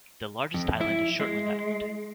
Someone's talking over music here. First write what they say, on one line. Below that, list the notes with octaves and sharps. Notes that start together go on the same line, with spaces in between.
The largest island is Shortland Island.
F2
E4
G#3